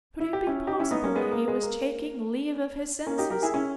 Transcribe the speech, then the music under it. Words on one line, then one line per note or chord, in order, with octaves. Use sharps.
Could it be possible that he was taking leave of his senses?
E4
G4
C#4 E4
D#4 G4
C#4 E4
B3 D#4
A#3 C#4
G#3 B3
A#3
G#3
A#3
A#3 C#4
D#4 G4
G4 A#4
E4 G#4
C#4 E4